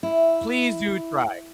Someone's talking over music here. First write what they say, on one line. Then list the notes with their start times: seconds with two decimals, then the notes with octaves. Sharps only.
Please do try.
0.03 E4